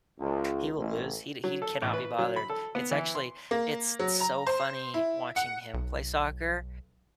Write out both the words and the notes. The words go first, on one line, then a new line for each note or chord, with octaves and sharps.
He will lose. He he cannot be bothered. It's actually it's so funny watching him play soccer.
C#2
A1
F#3
A4
A1
B4
F#3
B5
A4
B3
E3
C6
A#3
F#3
A#5
C5
E4
F#5
B1